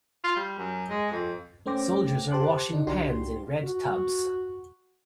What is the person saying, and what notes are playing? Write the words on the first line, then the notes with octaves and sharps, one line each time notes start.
Soldiers are washing pans in red tubs.
F4
G3
F#2
G#3
F2
A3 C#4 C5 G5 D6 A#6
G4 C5 A5 C6 D6 F#6
D3 D4 D#4
C2 D4 F#4 G4 C6
F#4